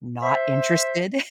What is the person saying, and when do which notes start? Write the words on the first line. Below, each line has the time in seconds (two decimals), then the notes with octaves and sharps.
not interested.
0.23 C5 E5